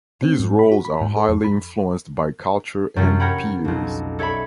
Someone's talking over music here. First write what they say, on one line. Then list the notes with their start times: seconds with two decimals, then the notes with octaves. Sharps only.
These roles are highly influenced by culture and peers.
0.22 C4
0.40 G#2
0.59 B5
0.72 F#4
0.85 B5
1.01 G#2
1.17 A4
1.29 F2
1.44 B5
2.96 F#2 C3 F3 C#4 F4
3.20 A#4 C#5 F#5 G5 B5
3.65 B1 F2
4.19 A4 C#5 D5 E5 B5